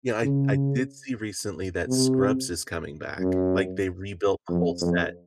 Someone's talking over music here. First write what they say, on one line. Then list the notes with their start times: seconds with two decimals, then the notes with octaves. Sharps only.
Yeah, I I did see recently that Scrubs is coming back, like, they rebuilt the whole set
0.24 C#3
1.88 C3
3.19 F#2
4.49 F2
4.81 F2